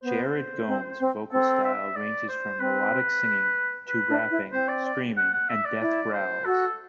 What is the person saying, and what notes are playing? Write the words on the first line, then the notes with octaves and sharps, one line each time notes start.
Jared Gomes' vocal style ranges from melodic singing to rapping, screaming, and death growls.
B3 C5
C4
C4
C4 A4
E5
D5
C5
C4 B4
B4
D4
E4
C4 C5
D5
D5
F#5
F#5
E5
D5
E4 D5
C5
F#4 A4